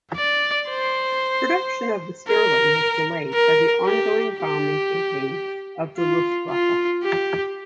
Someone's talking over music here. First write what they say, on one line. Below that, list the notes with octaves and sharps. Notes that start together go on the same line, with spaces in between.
Production of the Stirling was delayed by the ongoing bombing campaign of the "Luftwaffe".
D5
C5
A#4
A#4
G4
G4
F4
F4
G4